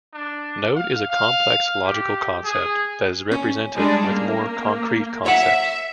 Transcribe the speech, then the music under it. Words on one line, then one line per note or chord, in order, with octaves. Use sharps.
Node is a complex, logical concept that is represented with more concrete concepts.
D4
F5
F5
G4
G#4
C#4
G3 G#3 D4
A#3
C#5 E5 F#5